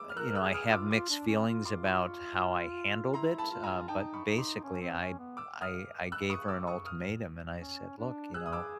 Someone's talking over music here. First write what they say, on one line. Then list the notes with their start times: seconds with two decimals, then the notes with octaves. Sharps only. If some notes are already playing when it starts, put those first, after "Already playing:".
you know, I have mixed feelings about how I handled it, uh, but, basically, I I I gave her an ultimatum, and I said, "Look," you know,
Already playing: D6 E6
0.09 F6
0.17 A#4 E6 F#6
0.29 F6
0.35 E6 F#6
0.41 G#4
0.54 D#6 F6
0.66 F4
0.72 D6 E6
0.91 F4 C6 D6
1.10 D4
1.28 C#4
1.47 F4
1.65 F4 C6 D6
1.84 B5 C#6
3.14 E4 A#5 C6
3.38 A5 B5
3.51 F4
3.63 G#5 A#5
3.88 D#4 G5 A5
4.13 B5 C#6
4.26 D#4
4.38 C6 D6
4.63 C#4
4.81 C4
5.00 C#4
5.19 B3
5.37 D6 E6
5.61 D#6 F6
6.12 E6 F#6
6.30 C#6 D#6
6.48 D6 E6
6.67 C#6 D#6
6.85 D#6 F6
7.60 C#4
7.97 D4
8.34 G#4 E6 F#6
8.46 D#6
8.53 D6 E6